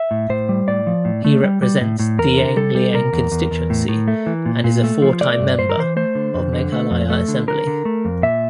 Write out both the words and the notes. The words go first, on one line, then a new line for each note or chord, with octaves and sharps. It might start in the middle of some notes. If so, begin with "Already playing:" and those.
He represents Dienglieng constituency and is a four-time member of Meghalaya Assembly.
Already playing: E5
A2
A2 C5
G3
A2 D5
F3
A2
A3
G3
G3
A2
A2
E2 A#4
D3
G3 A4
G3
C3 A#4
E2
E2
E2
A2
A2
A3
E3
A#2
A#2
A3
F3
A3 D5
G2
G2 C5
A#4
E3 C5
A3 C5
D3
F2
D3
A3
F2
A3
D3
D3 A#4
D3
A3
F2
A#2 E5